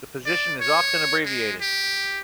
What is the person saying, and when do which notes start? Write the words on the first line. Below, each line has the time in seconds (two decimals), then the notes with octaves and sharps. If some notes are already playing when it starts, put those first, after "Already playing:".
The position is often abbreviated.
0.26 D5
0.61 C#5
1.26 G#3
1.61 G4